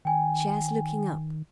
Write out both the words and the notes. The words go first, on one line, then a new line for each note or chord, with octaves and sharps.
Shares looking up.
D#3 G5 G#5